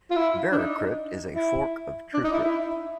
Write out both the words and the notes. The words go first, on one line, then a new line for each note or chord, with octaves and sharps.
VeraCrypt is a fork of TrueCrypt.
F4
E4
D4
D#4
E4
D4
D#4
E4
E4